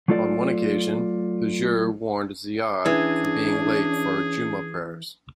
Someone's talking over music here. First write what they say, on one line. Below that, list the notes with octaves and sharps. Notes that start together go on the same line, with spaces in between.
On one occasion, Hujr warned Ziyad for being late for Jummah prayers.
F#3 A3 F4 A4 D5
E3 C#4 D4 G#4